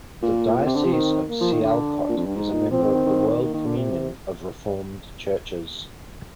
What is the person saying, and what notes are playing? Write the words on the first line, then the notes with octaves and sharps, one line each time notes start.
The Diocese of Sialkot is a member of the World Communion of Reformed Churches.
A#2 A#3
A#2 C4
C3
D3
F3
D#3
A#3
F3
D#3
D3 D4
A#2
F2
G2
G#2 D#4
A#2
F3 C4
D#3
D#3
D#3
D#3 A#3
D#3
D3
C3 C4